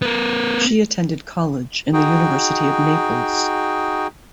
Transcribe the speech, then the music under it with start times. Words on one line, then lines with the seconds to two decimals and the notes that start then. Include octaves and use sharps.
She attended college in the University of Naples.
0.02 B3 A#4
1.93 D#4 F#4 G#4 G5